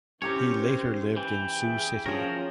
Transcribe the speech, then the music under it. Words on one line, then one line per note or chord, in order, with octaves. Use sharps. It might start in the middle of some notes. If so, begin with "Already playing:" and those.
He later lived in Sioux City.
C4 C#4 E4 G4 A#4 C#5
C5
E3 B4 G5
G#4 E5
F3 C#4 F4 G#4 A#4 C#5